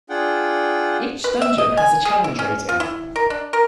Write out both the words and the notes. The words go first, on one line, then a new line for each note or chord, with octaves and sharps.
Each dungeon has a "challenge rating".
D4 F4 G#4 F#5 G5
B4
E5
D#5
G#5
G#4
E4
C#4
F4
E4
A#4
D4
A#4